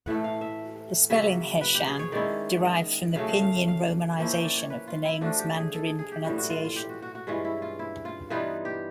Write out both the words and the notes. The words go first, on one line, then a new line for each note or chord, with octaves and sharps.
The spelling Heshan derives from the pinyin romanization of the name's Mandarin pronunciation.
A2 E3 A3 F#5
F5
E5
C#3 F#3 A#3 E5
B4
G4
G#4
C#5
D#3 G#3 C#4 E4 D5
D#5
C#3 F#3 A3 F5
F5
F5
F5
F3 A#3 C#4 E4
G5
D5
C#5
B4
F4
E4
F3 A3 D4 F#4
G4
G#4
A4
G#4
G#4
G4
A2 E3 G3 F#4
F#4
F4
F4
G4
F#4
F#4
F#4
G2 E3 G#3 C#4 F4
E4
F4
E4
F4
E3 G3 B3 D#4 F4
G4